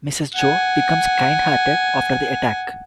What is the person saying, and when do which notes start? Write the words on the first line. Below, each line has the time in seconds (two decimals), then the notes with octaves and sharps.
Mrs Joe becomes kind-hearted after the attack.
0.34 F#5 G#5